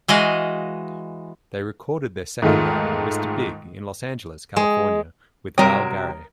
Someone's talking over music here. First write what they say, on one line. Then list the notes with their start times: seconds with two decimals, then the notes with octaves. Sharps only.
They recorded their second album, "Mr Big", in Los Angeles, California, with Val Garay.
0.08 E3 G#3 F#4 D#5 F5
2.42 G#2 D#3 G#3 A3 F4
4.56 G#3
5.58 C3 F#3 G3 C4 A#4 C#5 G5 D#6